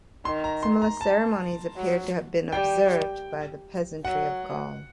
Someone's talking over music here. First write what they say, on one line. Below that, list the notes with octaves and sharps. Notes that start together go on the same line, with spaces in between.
Similar ceremonies appear to have been observed by the peasantry of Gaul.
D#3 C6
A#5
C6
A#5
A5
F#3
G3 G5
F#3 F#5